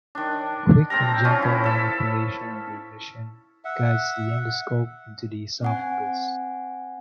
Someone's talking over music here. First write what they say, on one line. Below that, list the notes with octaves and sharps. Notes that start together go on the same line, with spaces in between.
Quick and gentle manipulation under vision guides the endoscope into the esophagus.
D#3 D4
C4 A4 A#4 A#5
F3 C#4
E4
A4 E5
E5 F#5
C4 F#5 G#5